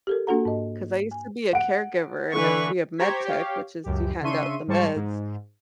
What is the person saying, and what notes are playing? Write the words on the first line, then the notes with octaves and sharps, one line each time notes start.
'Cause I used to be a caregiver and I'd be a med tech, which is you hand out the meds,
G4 A4 A#4
A#3 D4 F#4 A4 F#5 A#5
G#2 D#5
G#5
F#5 D7
D3 E3 B4 C#6
G4 C5 A#5 C#6 G#6 B6
G4 C#5 F5
C#2 F#2 G4
C#3 D4 E5 C6 C#6 D#7
G#2 G3 C5 A5 C#6
G#2